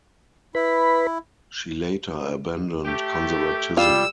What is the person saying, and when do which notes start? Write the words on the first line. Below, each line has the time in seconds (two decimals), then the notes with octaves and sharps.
She later abandoned conservatism.
0.55 E4 B4 B5
2.85 A3 G4
3.77 G3 F4 E6